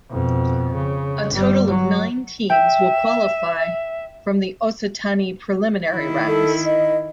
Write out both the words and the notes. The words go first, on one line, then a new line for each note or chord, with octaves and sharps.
A total of nine teams will qualify from the Occitanie preliminary rounds.
F2 B2
C#3
G1 G3
F#3
E5 G5
D#3 E4
A4
D#5